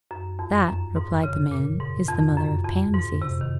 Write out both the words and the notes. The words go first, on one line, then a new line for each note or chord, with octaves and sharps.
"That," replied the man, "is the Mother of Pansies."
F#2
F2
F#2
G#2
C#3
A#2
G#2
F2
F#2
F2
G#2
C3
D#3